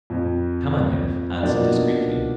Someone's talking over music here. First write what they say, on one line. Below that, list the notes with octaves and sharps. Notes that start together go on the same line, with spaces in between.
Kameniev answered discreetly.
F2
B2 F3 A#3 D4 D#4